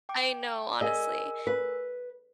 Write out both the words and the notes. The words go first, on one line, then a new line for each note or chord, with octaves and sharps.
I know, honestly,
G5 D6
G#4 A#4 D#5 G#5 E6
B4